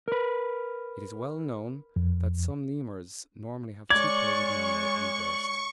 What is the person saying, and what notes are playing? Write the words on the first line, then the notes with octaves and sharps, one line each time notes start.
It is well known that some Lemurs normally have two pairs of mammae on the breast.
A#4 B4
F2
G#3 C#5 D5 C#6 G#6